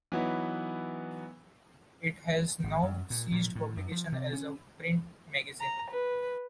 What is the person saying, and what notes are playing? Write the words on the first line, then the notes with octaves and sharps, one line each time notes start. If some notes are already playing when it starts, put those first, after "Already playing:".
It has now ceased publication as a print magazine.
E3 F#3 B3 D#4 E4
G#1
F#2
A#2
A#2
A2
F#2
F3
C3
C#4
A#5
B4